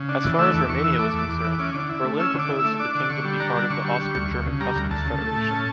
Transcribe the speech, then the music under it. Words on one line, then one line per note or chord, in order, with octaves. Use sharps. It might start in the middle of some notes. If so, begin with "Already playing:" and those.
As far as Romania was concerned, Berlin proposed that the kingdom be part of the Austro-German customs federation.
Already playing: C#3
D4
E3
A3 E6
E2 D6
E2 C#6
E3 E6
A3 D6
E2
E2
E3
C#4
D3
E4
A3
C#4 E6
D3
D6
E4
A3 E6
D4 D6
D3
D3 C#6
G3
D4 A#5
D3
D3 C#6
G3
G3
D2
D2
C#3
G3 A#5
D2
D2 A5
C#3
A3
A2
C#4